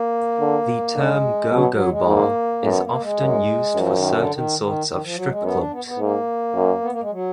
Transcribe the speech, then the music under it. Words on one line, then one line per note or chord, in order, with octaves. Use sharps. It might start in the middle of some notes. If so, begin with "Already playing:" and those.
The term go-go bar is often used for certain sorts of strip clubs.
Already playing: A#3
D3
D3 G#3
B2 F#3
F#3
G#3
G#2 A#3
F#2 B3
A#3
G#3
F#2
F#2 F3
D#3
D3
D#3
D#3
D#3
F3
F#3
G#3
F#2 B3
D4
B3
B3
G#2 A#3
F#2
B3
A#3
G#3
F#3